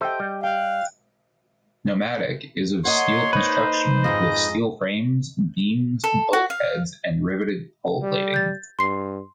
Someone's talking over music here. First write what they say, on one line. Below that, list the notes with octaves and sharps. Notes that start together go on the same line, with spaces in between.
"Nomadic" is of steel construction, with steel frames, beams, bulkheads and riveted hull plating.
G4 A4 C5 D#5 E5 G5
G3
F5 G5 F#6
A#3 C#5 D#5 F#5 C6
D#4 B4 C5
F2 G#2 G#3 D#5
A4
F#4
F5
G3
G6 A6
G2 C6 C7